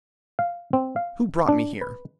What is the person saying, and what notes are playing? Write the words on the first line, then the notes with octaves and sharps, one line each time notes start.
Who brought me here?
F5
C4
F5
D4
B4